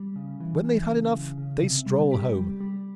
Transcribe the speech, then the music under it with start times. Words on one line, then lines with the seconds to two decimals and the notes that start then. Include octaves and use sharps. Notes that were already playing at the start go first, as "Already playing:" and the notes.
When they have had enough, they stroll home.
Already playing: G3
0.16 C#3
0.40 E3
0.64 E3
0.89 C#3
1.13 C#3
1.38 C#3
1.62 C3
1.86 G3
2.11 G4
2.35 G3
2.60 G3